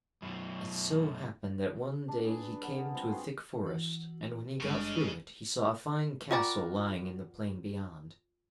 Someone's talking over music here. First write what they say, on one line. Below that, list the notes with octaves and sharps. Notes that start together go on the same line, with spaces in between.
It so happened that one day he came to a thick forest, and when he got through it, he saw a fine castle lying in the plain beyond.
F#2 B2
D4
G#4 B4 D5
B4
D3 A#3 B3
G3 B3 C4 F4
F#4 G#4 B4 C6
E3 F#4
G#1 G2 C#3 G3 G#3 D4
F4 F#4 A#4 D5 G5